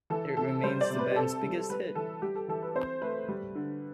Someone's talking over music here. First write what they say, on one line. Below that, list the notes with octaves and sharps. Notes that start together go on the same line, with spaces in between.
It remains the band's biggest hit.
E3 A4
C3 A4
G3 C5
D5
C3
B4
G4
C4 A4
G3
G3 B4
E3 A4
G3 G4
A4
E3 A4
B4
C4 C5
A3 B4
G3
D3